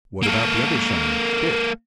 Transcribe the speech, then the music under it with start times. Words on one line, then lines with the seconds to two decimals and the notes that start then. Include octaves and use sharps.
"What about the other son--Dick?"
0.23 A#3 A4